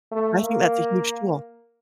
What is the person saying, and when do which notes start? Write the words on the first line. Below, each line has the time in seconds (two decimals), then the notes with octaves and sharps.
I think that's a huge tool.
0.12 A3
0.41 A#3